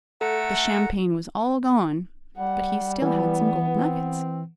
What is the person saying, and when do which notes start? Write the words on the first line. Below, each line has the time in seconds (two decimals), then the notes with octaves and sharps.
The champagne was all gone, but he still had some gold nuggets.
0.21 A3 A4 F#5 A#5
2.37 G3 F#5
3.02 E3 B3
3.75 C4